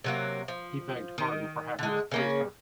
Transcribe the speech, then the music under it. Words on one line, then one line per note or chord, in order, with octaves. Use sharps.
He begged pardon for having displeased her.
C3 F#3 A#3
F3
D#3
D3 G#3
C#3 A#3 C#4